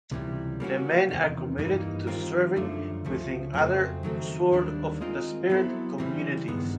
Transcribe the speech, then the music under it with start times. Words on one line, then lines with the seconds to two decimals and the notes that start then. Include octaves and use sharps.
The men are committed to serving within other Sword of the Spirit communities.
0.11 C#2 C3 E3 G3
0.60 G3 A#3 C#4 F#4
1.09 E2 C3 D#3
1.58 G2 E3 G3 A#3 D#4
2.07 D#3 G3 C4 F4 A#4
2.56 F#2 D3 F3 A3
3.05 C#2 C#3 F3 A3
3.54 F2 C#3 F#3 A3 C4
4.03 D#3 F#3 A3 C4
4.51 D#2 D#3 G3 A#3 D4
5.01 G#3 C4 F4 A#4 D#5
5.50 F#3 B3 E4 A4 C5
5.98 C#3 E3 G3 C4
6.48 G2 D#3 G#3 B3